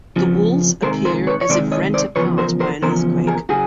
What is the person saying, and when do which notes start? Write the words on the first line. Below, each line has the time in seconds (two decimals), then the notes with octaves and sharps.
The walls appear as if rent apart by an earthquake.
0.16 F2 C#3 F3
0.82 C3 D#3 G#3 A#4 C5
1.05 A#4 C5
1.27 B4 C#5
1.41 C#5
1.49 C3 D#3 G#3 C5 D5
1.72 C#5 D#5
1.94 C5 D5
2.16 E2 C#3 F3 B4 C#5
2.38 A#4 C5
2.60 A#4 C5
2.82 E2 C#3 F3 A#4 C5
3.27 G#4 A#4
3.49 C#3 F#3 F#4 G#4